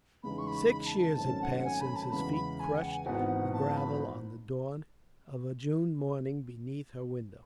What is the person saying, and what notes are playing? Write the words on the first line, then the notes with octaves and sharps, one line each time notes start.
Six years had passed since his feet crushed the gravel on the dawn of a June morning beneath her window.
E2 C#3 G#3 D#4 B5
C#6
B5
B5
A5
A5
G#1 F#2 D#3 A3 C#4 A5
F#5
G#5
B5
A5
E2 C#3 G#3 B5
B5
G#5
F#5
G#5
G#1 G#2 E3 B3 F#5
A5
B5